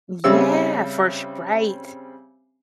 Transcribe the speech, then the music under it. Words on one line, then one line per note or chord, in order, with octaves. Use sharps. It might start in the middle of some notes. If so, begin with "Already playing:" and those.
Yeah, for su right.
C#3 G3 C4 C#4 E5 E6